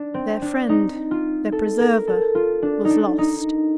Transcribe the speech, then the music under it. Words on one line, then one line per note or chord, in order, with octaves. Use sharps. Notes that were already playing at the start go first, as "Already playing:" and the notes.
Their friend, their preserver, was lost!
Already playing: D4
C4
D4
D#4
F4
A4
A#4
A4
F4
D4
D#4
D4
D#4